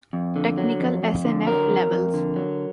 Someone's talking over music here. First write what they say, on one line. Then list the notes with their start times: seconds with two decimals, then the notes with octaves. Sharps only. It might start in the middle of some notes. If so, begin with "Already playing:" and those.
Technical SNF levels.
0.13 F2
0.36 D3
0.58 F#3
0.80 F2
1.03 F2
1.25 D3
1.47 F#3 A#4
1.69 F2
1.91 F2
2.14 D3
2.36 F#3